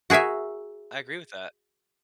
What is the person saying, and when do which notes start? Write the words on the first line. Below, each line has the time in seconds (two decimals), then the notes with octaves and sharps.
I agree with that.
0.10 F#4 G#4 A#4 E5 G#5